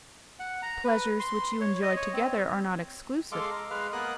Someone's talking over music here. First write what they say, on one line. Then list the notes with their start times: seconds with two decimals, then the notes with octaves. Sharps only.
The pleasures which you enjoy together are not exclusive.
0.40 F#5
0.62 A#5
0.84 B4
1.20 C6
1.61 C#5
1.82 D#5
1.96 C#5
2.13 C4
3.32 G#3 A4 F5 C6 D6
3.50 A#5
3.70 G#3 B4 F5 F6
3.93 A#3 B3 A#4 D#6 F#6